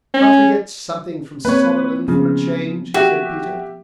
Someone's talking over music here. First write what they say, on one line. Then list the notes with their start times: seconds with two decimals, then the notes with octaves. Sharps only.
"Can't we get something from Solomon for a change?" said Peter.
0.14 C#4
1.45 A#3 C4 B4 C#5
2.08 C#3 F3 B3 F4
2.94 F#4 G4 E5